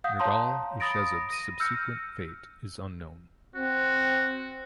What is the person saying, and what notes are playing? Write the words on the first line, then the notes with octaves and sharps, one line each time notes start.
Nergal-ushezib's subsequent fate is unknown.
F5 F#5 D#6 G6
C#5 F5 A5 A#5 C6
B5 D#6 A6 A#6 D7
A#6 D#7
E6 F6 G6 A#6 C#7
C4 F#4